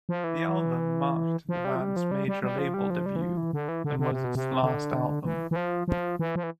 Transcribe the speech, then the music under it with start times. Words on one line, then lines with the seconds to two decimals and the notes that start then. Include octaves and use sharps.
The album marked the band's major label debut, and was its last album.
0.09 F3
0.24 E3
1.49 F3
1.65 G3
1.76 F3
1.81 G3
1.96 F3
2.11 G3
2.28 G3
2.44 G3
2.58 F3
2.74 G3
2.90 F3
3.06 G3
3.16 E3
3.22 F3
3.37 E3
3.53 D3
3.68 E3
3.84 D3
3.99 D3
4.11 C3
4.24 B2
4.35 C3
4.63 D3
5.25 E3
5.51 E3
5.56 F3
5.88 F3
6.19 E3
6.36 F3
6.43 E3